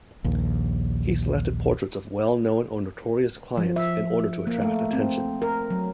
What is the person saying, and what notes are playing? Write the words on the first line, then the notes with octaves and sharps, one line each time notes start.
He selected portraits of well-known or notorious clients in order to attract attention.
A#1 D#2
F3
E5
A#3
A3
C4
A#4
F#3